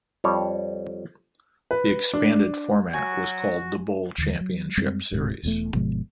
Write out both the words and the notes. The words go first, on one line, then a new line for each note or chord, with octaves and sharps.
The expanded format was called the Bowl Championship Series.
F2 G3 C#5
B4
D4
F#3 F#4 G#5
D#2 D3
F#3
F#2 G3 G#3 C4
D1 G#2 C3
E1 E2 C3 A3
G1 B2 F3 G#3